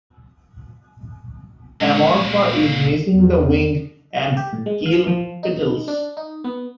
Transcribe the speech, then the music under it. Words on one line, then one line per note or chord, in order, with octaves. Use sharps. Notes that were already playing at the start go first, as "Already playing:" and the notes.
"Amorpha" is missing the wing and keel petals.
A#2 G#3 C#4 C#5
E2
G4
A2
G#3
F5
F3
D#4
D4
D#4
B3